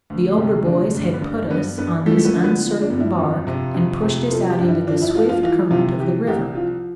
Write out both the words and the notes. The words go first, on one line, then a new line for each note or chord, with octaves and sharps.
The older boys had put us on this uncertain bark and pushed us out into the swift current of the river.
D2
C3 G4
D2 D4
G2
B3
G2
G2 B3
G2 B3
F3 A3
A3
B3
D3
B3
F3
D4
G2
E4
F2
C3
F2
C3
F3 A4
G4
G2
E4
F3 D4
E4
F3 F4
F4
E3 F4
C3 F4
E3 G4
C2 G4
F3 F4